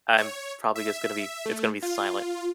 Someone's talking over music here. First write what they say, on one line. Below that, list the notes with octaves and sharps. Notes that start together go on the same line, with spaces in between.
I'm probably just gonna be, it's gonna be silent.
C#5
E5
A3
F4